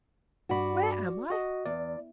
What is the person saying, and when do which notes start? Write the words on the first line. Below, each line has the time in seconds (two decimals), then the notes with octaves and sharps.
"Where am I?"
0.49 G2 F#4 D5 B5
1.30 F#4 D#5
1.65 E2 D5